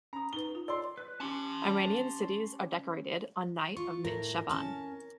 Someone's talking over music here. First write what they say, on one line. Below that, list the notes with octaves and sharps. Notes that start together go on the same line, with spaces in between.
Iranian cities are decorated on night of Mid-Sha'ban.
C#4 A#5 D#6
D#4 B4 G7
F4
D5 C6 E6
B4
C#4 G4 A5 C6
F4 C#6
A2 A#4
C#4 A5